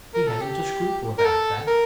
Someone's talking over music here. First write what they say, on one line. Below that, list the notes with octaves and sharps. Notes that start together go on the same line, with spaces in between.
He hasn't a scruple about that.
A#4
A4
G4
A#4
A4
A#4